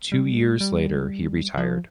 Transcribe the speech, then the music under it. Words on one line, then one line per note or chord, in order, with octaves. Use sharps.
Two years later he retired.
G3
G#3
G3
F3